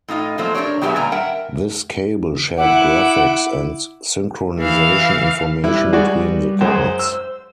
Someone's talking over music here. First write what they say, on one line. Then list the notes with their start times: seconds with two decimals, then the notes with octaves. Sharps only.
This cable shared graphics and synchronization information between the cards.
0.08 A2 D#4 F4 D#5
0.38 A#2 F3 F#3 A3 C4 C5
0.54 D4 G4 G#4 A#4 C#5 D5
0.81 B2 F#3 G4 G#4 B4 E5
0.96 A#2 D3 G3 G4 G#5 A#5
1.12 A#4 E5 F#5 G5 A5
2.58 E4 F#5 D6
4.59 E3 F5
5.64 G3 E4 B4
5.93 G#3 F#4 D5
6.61 F#2 G#3 C5
6.99 E6